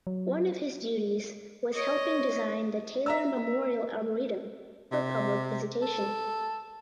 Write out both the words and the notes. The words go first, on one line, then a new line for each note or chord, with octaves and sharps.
One of his duties was helping design the Taylor Memorial Arboretum for public visitation.
F#3
C#5 D#5
E5 A#5 E6
C3
A4